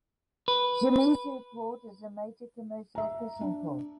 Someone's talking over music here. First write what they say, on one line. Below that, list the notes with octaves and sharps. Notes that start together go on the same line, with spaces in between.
Shimizu Port is a major commercial fishing port.
B4
E5 A#5
D4